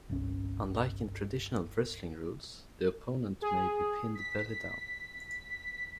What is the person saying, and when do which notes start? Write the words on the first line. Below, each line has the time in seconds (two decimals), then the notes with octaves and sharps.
Unlike in traditional wrestling rules, the opponent may be pinned belly-down.
0.10 G1 C2 C#4
3.42 G#4
4.15 B6